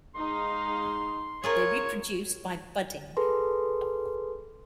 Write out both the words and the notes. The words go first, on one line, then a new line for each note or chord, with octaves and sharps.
They reproduce by budding.
G#3 D#4 F5 C6
A#3 F4 G#4 A#4 C#5
G#4 A4 B4 C6